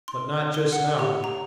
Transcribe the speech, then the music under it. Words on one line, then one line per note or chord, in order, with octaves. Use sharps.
But not just now.
C6
G7
F#5
G4
A#5